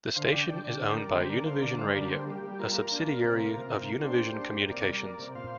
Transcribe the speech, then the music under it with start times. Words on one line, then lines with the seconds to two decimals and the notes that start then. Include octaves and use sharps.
The station is owned by Univision Radio, a subsidiary of Univision Communications.
0.15 D3 C5 F5
0.31 D3 D5 G5
0.48 D3 D5 G5
0.64 D3 D5 G5
0.80 A#3 D5 G5
0.96 G3 A#4 D5
1.13 D3 G4 C5
1.29 A#3 A#4 D5
1.45 D3 C5 F5
1.61 D3 A#4 D5
1.78 G3 C5 F5
1.94 D3 A#4 D5
2.10 A#3 G4 C5
2.26 G3 G4
2.43 G3 G4
2.59 A#3 F4 A#4
2.76 A#3
2.92 D4
3.08 A#3
3.24 C3
3.40 A#3
3.56 C3
3.72 C3
3.89 A#3
4.04 D4 G4 C5
4.21 A#3
4.37 D4
4.53 A#3
4.70 C3 A#4 D5
4.86 G3
5.03 A#3
5.19 C3
5.35 A#2 C5 F5